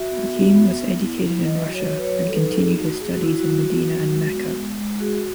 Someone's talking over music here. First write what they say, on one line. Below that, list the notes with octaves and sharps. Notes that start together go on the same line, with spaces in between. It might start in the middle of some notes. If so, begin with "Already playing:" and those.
Hakim was educated in Russia and continued his studies in Medina and Mecca.
Already playing: F#4 E5
B3
F#4
B3
B3
E4
E4
F#3 D#5
F#4
C#5
F#3
B4
C#5
F#3
A4
D#4 B4
A4
D#4 G#4
A3 F#4
A3 G#4
F#4
E4
F#4
F#3
F#3
F#3
G#3
B3
G#3
G#3
F#4 G#4